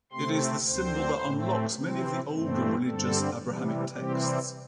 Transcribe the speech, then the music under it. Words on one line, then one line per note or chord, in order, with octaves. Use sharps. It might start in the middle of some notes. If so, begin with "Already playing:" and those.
It is the symbol that unlocks many of the older religious Abrahamic texts.
C3 A3 C4 C6
D2 D3 C4 C5
A2 A3 C4
C3 E3 C4
G2 E3 A3 C4
G2 D3 G3 C4 A4
C3 E3 G3
C3 E3 G3 C4 G4